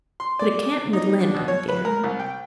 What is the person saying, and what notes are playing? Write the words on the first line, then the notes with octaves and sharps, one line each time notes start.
But it can't with Lynde, I'm fearing.
C6
D5
D6
D#4
D4
B2
C#5
B4
A#4
C2
G5